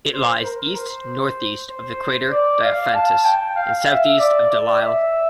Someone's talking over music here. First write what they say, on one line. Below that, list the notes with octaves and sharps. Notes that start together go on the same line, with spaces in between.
It lies east-northeast of the crater Diophantus, and southeast of Delisle.
C5
A#4
C5
C5
D5
F5
A5
G5
F5
E5
D5
D5
E5